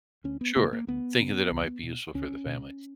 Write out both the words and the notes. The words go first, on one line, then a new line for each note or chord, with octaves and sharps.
Sure, thinking that it might be useful for the family.
D2 C#4
B3
C#3 A#3
A#3
D2 B3
C#3
C#2
B2
C#2 C#4
B2